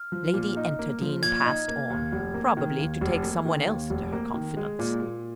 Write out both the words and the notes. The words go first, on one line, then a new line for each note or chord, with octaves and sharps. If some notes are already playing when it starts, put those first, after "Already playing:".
Lady Enterdean passed on, probably to take some one else into her confidence.
Already playing: F6
F3
A#2
D#4
A#3
F3
A#2 G#6
D#4
A#3
D#2
F1
A#3
D#3
D#2
F1
A#3
D#3
D#2
F1
A#3
D#3
G#3
A#2
A#2